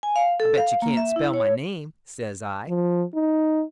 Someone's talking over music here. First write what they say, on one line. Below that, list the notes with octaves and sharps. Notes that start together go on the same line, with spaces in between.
"I bet you can't spell my name," says I.
G#5
F5
A4
F5
A#3
E5
E4
C#5
F3
D#4